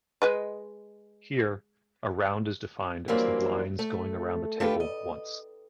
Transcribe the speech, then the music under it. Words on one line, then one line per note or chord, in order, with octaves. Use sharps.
Here, a round is defined as the blinds going around the table once.
G#3 B4 D#5
E3 F#3 G3 A#3 C4 D4
A3
A3 D4 F4 G4 A4 B4
D#5